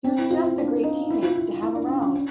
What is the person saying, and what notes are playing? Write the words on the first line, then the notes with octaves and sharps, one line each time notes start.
He was just a great teammate to have around.
C4
E4
F4
E4
D4
D#4
E4
F4
E4
E4
D4
C#4
C#4
C#4